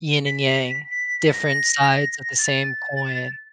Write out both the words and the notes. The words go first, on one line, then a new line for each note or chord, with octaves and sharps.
"yin and yang," "different sides of the same coin."
B6
B6
B6
B6
A#6
A6